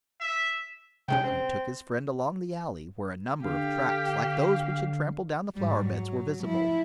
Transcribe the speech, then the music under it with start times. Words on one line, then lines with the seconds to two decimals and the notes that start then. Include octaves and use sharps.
And he took his friend along the alley, where a number of tracks like those which had trampled down the flowerbeds, were visible.
0.21 E5
1.08 C3 G#3 C#4 G5
1.24 C4
3.44 D3 G4 F5
5.56 G#2 G3
5.85 F#3
6.41 F3 E4